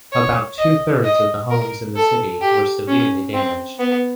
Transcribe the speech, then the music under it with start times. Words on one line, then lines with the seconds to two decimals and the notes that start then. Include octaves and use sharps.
About two thirds of the homes in the city were severely damaged.
0.12 C#5
0.58 D#5
1.04 D#5
1.50 A#4
1.96 A4
2.41 G4
2.88 C#4
3.33 C4
3.79 B3